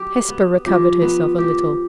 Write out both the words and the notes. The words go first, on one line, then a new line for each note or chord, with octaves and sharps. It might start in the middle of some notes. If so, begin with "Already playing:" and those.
Hesper recovered herself a little.
Already playing: F#3 G4
B3
F3 G4
B3
G4